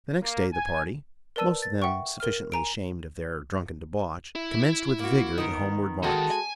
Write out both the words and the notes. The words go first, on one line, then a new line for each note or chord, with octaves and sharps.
The next day the party, most of them sufficiently ashamed of their drunken debauch, commenced with vigor the homeward march.
A#3
G#5
A#4 B4 D5 A5 E6 D#7
A6
E5 F#5 G5 C#6
A#4 F6
G#5 A#5 D7
E4
A#3 F#4
D#3 B3 A#4
D#3 G#3 F#4 A4
G#5